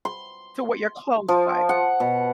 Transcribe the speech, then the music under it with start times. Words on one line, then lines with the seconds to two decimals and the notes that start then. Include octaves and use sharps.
to what your clothes like.
0.05 C6
1.28 F3
1.69 F#5
2.00 B2